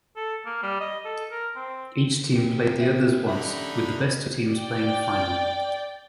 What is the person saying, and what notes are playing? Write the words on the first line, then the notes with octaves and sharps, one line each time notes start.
Each team played the others once, with the best two teams playing a final.
A4
A#3
G3
D#5
A4
A#4
C4
C#4 G4
E5 C#7
D3 D#4 E5 B5
D5 G5